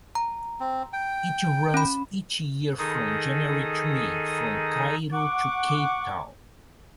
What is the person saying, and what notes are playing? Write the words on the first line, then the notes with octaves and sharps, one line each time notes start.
It runs each year from January to May, from Cairo to Cape Town.
A#5
C4
G5
C#4 B5
D#3 D#4 G#4 A4 D#6
F#5 C#6 D6